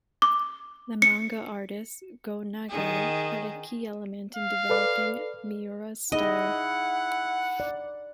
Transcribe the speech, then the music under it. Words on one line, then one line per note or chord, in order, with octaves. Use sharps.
The manga artist Go Nagai had a key element in developing Miura's style.
D6
C#7
D#3 G#4
F5
A4 B4 D5
D#4 E4 G#4 D#5 F#5
D5